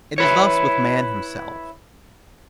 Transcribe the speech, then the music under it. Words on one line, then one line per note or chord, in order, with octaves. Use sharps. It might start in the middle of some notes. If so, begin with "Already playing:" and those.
It is thus with man himself.
E4 B4 C#5